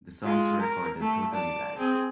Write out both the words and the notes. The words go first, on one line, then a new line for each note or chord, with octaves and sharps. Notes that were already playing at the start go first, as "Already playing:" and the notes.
The songs were recorded totally live.
G#3 F4
A#4
A3
D5 A5
C4 G#4